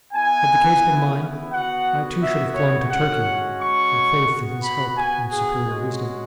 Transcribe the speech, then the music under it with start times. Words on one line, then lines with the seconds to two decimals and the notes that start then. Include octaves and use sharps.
Had the case been mine, I too should have clung to Turkey from faith in his help and superior wisdom.
0.13 B3 E4 G#5
1.52 B3 F#4 F#5
2.21 E5
2.55 C#5
2.89 G#3 C#4 F#4 F#5
3.58 C#6
4.27 B3 F#4
4.62 B5
4.96 G#5
5.31 G#4
5.65 G#3 C#4 F#4